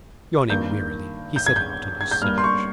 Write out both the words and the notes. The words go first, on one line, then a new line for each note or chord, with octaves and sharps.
Yawning wearily he set out on his search.
G2 D#3 A#3 G6
G6
G#6
G6
G#6
G6
G2 G3 A#3 F6
C6
C#6